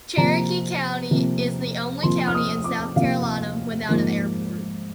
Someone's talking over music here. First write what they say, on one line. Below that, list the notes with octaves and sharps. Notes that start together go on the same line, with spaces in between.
Cherokee County is the only county in South Carolina without an airport.
C3 F3 A#3 A#5
C3 F3 A#3
C3 F3 A#3 C6
F6
D#6
D6
C3 F3 A#3 F5
G#2 F3 A#3